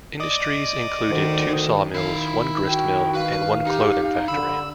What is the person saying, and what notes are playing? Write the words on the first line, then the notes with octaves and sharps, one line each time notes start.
Industries included two sawmills, one gristmill, and one clothing factory.
D5 D#5
D2 D#3
D#3 E4 F5
F#4 G5
B4 F5
D#4 G4
D3 B5 E6